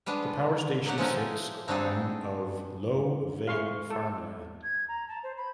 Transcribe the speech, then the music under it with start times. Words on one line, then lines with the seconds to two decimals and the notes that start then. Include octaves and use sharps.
The power station sits on of "low vale farmland".
0.06 G3 G#3 B3 D4
0.85 D3 F#3 D#4 G4 D5 F#5
0.98 F3 G#3 A3 C#4 D#4 G4
1.68 C4 D4 D#4 F#4 G#4 A4
3.47 G#3 E4 F5 C6 C#6
3.90 A4
4.63 G#6
4.88 A#5
5.08 A5
5.23 C5
5.37 B5